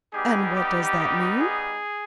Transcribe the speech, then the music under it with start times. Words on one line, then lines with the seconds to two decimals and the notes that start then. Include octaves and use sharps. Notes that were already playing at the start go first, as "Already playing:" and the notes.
And what does that mean?
0.13 G3 B3 D#4 G4 G#4
0.55 G4
1.40 G#4